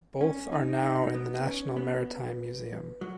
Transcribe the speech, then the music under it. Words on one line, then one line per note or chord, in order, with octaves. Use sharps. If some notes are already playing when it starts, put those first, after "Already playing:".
Both are now in the National Maritime Museum.
C#4
D#4
D#4
B3
C#4
B3
F#3